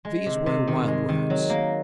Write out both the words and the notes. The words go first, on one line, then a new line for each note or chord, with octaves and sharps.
These were wild words.
G#3
C3
C3
D#3
G#3
D#3
F#3
A#3